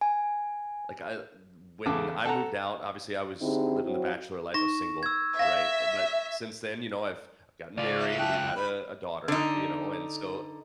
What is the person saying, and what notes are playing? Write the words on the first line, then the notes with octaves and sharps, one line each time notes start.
like, I l when I moved out, obviously I was living the bachelor life, I was single, right, uh, but since then, you know, I've I've gotten married, we've had a a daughter, you know, and so
G#5
E2 C#3 A4 D6
A4 F#5 A#5
D3 C4 D#4 E4 G4 G#4
F#3 C4 E4
D#4 C#6 A#6 E7
E6 G#6
E5 F5 A#6
C#2 F4 D5
E5
E4 G5 A5 F#6
B5
D3 D#4